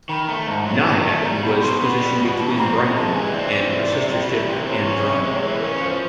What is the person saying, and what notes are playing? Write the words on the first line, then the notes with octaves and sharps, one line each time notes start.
"Naiad" was positioned between "Brighton" and her sister-ship "Andromeda".
D#3 B5
A3 A#5
G#2 A5
F#3
D#3
A3
G3 A#5
B2 B5
B2 C6
B3 B5
G3
B2
E3 A5
B5
C4 A#5
C3 B5
G#3 A5
E3 G#5
C4 D5
E3
C3
C3
G3
E3
C3
E3 C#5
C#4
C3
G#3
E3
A4
C#4 A#4
B4
F3 C5